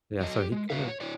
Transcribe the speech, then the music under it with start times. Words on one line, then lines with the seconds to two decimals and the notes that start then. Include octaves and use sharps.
Yeah, so he couldn't
0.21 F#3 D#5
0.38 G4
0.52 G#3
0.70 F#4 G4 B4 E5 F5
0.88 C#5
1.00 E4 C#5 D5